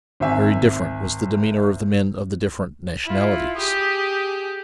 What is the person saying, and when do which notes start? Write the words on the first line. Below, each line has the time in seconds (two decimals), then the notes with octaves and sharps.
Very different was the demeanour of the men of the different nationalities.
0.20 G#1 C4 E5 G#5
3.04 E4 F4
3.55 G4 G#4